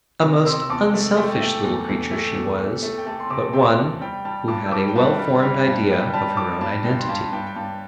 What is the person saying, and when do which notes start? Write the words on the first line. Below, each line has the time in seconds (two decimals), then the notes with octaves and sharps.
A most unselfish little creature she was, but one who had a well-formed idea of her own identity.
0.22 C3
0.46 C3 C6 E6
0.61 E6
0.70 E2 A5 D6
0.94 A3
1.17 A3 G5
1.34 G5
1.41 A3
1.64 E2
1.89 E2
2.12 A3
2.35 E2
2.59 E2
2.83 A3
2.98 G5
3.06 A3 A5
3.20 C6
3.30 C3 A5 D6
3.53 C3 G5 C6
3.78 E2 A5
4.01 G3 G5
4.25 G3 A5
4.48 G2 A5 D6
4.66 E6
4.72 G3 A5 D6
4.88 G5
4.95 G2 A5
5.19 G3
5.42 G3
5.67 G2
5.90 G2 G5
6.14 G3 A5
6.37 G3 A5 D6
6.61 G2 A5
6.85 G2 G5
6.99 C6
7.09 G2 A5
7.33 G2 G5
7.46 G5
7.55 G2 A5